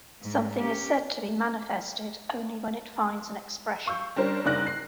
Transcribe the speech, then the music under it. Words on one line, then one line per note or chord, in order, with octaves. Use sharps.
Something is said to be manifested only when it finds an expression.
G#2
C#4 G4
F5 C#6 E6 G6
G3 C#4 D4 A#4 C5
F#1 G3 D#4 D5 F#6 A#6
C7